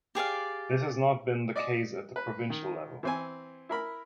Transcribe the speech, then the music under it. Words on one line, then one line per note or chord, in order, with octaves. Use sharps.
This has not been the case at the provincial level.
G4 G#4 D5 F5
D5 D#5 D6
B4
D#3
E3 C4 G#5
E4 A#4 B5